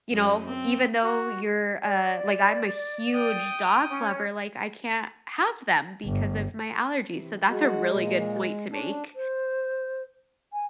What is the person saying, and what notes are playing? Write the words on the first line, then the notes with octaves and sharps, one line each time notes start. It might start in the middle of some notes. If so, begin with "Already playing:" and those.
you know, even though you're, uh like I'm a huge dog lover, like, I can't have them because of my allergies. So that's a really good point to make.
F#2 G#3
C4
F#4
D5
G5 D#6
C#4
G1
C3 E3
F#3 G#3 F#4
A#2
C#4 D4
C5
G#5